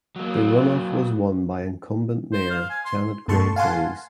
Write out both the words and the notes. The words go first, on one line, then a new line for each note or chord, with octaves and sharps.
The runoff was won by incumbent mayor Janet Gray Hayes.
F#3 A#3
C5
F5
G#5
C6
G2 B2 A3 A5 C6 C#6
F5 F#5 G#5 A5 C6